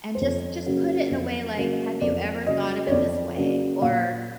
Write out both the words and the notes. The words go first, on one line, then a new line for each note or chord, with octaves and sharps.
and just just put it in a way like, "Have you ever thought of it this way, or,
C5
F2 C#5
C#3 F#3 A#3
F2
C#3 F#3 A#3
F2 D5
C#3 F#3 A#3 D#5
C#5
F2 D5
C#3 F#3 A#3
A#2 F5